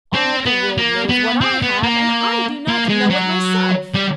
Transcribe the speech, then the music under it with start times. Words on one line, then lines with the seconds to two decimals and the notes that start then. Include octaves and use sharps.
"All the world knows what I have, and I do not know it myself!"
0.14 C4
0.46 B3
0.78 A#3
1.09 B3
1.41 C4
1.62 B3
1.83 A#3
2.68 A#3
2.89 G#3
3.10 F#3
3.94 G3